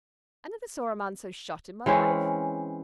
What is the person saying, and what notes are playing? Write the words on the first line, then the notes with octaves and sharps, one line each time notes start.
I never saw a man so shot in my life.
E3 G#3 C4 C#4